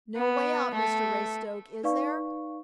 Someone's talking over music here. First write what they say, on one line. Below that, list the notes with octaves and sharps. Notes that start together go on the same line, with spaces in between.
"No way out, Mr Raystoke, is there?"
B3
A3
D#4 B4 D5 F5 C#6